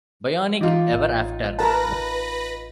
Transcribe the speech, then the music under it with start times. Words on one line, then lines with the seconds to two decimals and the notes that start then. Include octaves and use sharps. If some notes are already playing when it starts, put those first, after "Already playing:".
Bionic Ever After?
0.61 E3 D#4 F4 D6
0.92 A1
1.59 A#4 B4 A5 A#6